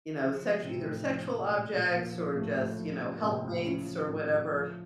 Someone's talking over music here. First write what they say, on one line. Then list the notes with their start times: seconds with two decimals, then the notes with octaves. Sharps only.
you know, sexu either sexual objects, or just, you know, helpmates, or whatever,
0.20 C#3 F3 C#4
0.42 F3
0.64 A2 C3 C4
0.86 A2
1.06 F3
1.28 F3
1.50 A#2 A3
1.71 A#2
1.93 F3 A#3
2.14 F3
2.36 A2 A3
2.57 A2
2.79 F3
3.00 F3
3.18 A#3
3.22 A2 C3 C4
3.44 A2
3.65 C#3 F3 C#4
3.87 F3
4.08 A2
4.30 A2
4.52 F3